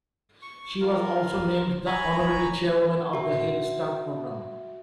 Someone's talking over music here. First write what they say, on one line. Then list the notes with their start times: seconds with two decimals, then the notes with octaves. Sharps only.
She was also named the honorary chairwoman of the Head Start program.
0.42 C#6
0.81 F4 A#4
1.86 C#5 G#5 A#5 B5
3.13 F#4 E5